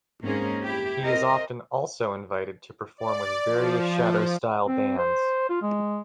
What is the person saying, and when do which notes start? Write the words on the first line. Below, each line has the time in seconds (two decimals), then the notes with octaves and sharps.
He is often also invited to perform with various Shadows-style bands.
0.22 G#2 A#3 C4 C#4 G#4 A#4
0.63 E4 G4
1.02 C4 A#4 D#5
2.98 D5
3.47 F3
4.68 C4
4.98 C5
5.49 F4
5.62 G#3